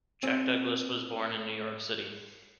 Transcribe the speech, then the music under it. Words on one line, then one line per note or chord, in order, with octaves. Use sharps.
Jack Douglas was born in New York City.
C4 G#5